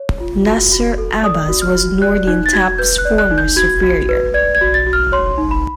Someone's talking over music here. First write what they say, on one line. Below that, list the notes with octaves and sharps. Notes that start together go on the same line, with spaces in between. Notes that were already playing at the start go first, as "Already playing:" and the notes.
Nasir Abbas was Noordin Top's former superior.
Already playing: C#5
F4
F#4
F#4
A4
D5 D#6
F#4
F6
F#4
D5 F#6
D#4 F#6
A6
F#4 G#6
B4 G6
F#6
D5
F#6
D#4
G6
F#4 G#6
F#4
B4
D5 G#6
G#6
F#4
A6
F#4
F6
C#5 C6
D#4
B5